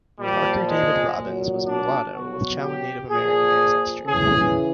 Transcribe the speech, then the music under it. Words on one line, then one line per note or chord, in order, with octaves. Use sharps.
Parker David Robbins was Mulatto with Chowan Native American ancestry.
A#2 F3 G3
G#3
A#2 F#3
D4
B2 F#3 F#4
G4
A#2 F3 G#4
C#3 E3 G#4